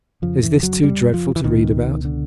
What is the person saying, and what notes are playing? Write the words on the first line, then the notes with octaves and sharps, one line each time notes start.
Is this too dreadful to read about?
F2 C#3 F3
E3
F#3
G3
F3
E3
C#2 B2 D#3
D3